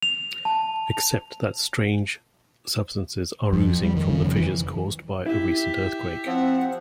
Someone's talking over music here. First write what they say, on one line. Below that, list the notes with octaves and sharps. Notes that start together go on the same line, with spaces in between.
Except that strange substances are oozing from the fissures caused by a recent earthquake.
F7
A5
F2
G3
D#3
C#3
F2
E3
E4 G4 E5
F3 C4 F#5